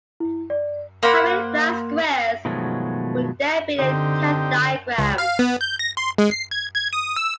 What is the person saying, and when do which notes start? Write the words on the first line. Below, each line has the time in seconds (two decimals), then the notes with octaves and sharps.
How many black squares will there be in the tenth diagram?
0.20 E4
0.50 D5
1.03 A#3 C5 F#5 B5
2.45 B2 D#3 F3 F#3 G#3 A3
3.79 D3 C4 D#4 G4
4.98 C#2
5.18 F5
5.39 B3
5.61 G6
5.79 A#6
5.97 C6
6.18 G#3
6.31 C7
6.51 G#6
6.76 G#6
6.93 D#6
7.16 E6